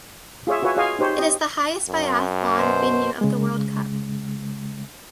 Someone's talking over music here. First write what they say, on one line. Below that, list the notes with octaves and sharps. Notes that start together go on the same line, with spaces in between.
It is the highest biathlon venue of the World Cup.
F4 G#4 C#5 E5
F4 F#4 B4 C#5 E5 G#5
F4 G#4 C#5 D#5 F5 G#5
D#4 G4 C5 C#5
G4 D#5
F#2
B2 C5
C#3 G#3